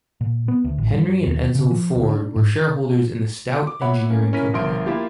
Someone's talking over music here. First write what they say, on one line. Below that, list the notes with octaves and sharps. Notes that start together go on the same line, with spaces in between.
Henry and Edsel Ford were shareholders in the Stout Engineering Company.
A#2
B3
D2
A1
G2
D#2
C#3
F3
D2
D4
G#2
D6
C#5 E5 F#5 B5 D6
A#3 C#4
C#4 E4 A#4 B6 D#7
G1 F3 A#4 E5 C6 D7
A#3 E4 F4 G4